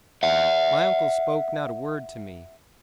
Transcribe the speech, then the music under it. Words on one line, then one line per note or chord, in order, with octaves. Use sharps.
My uncle spoke not a word to me.
E5 F#5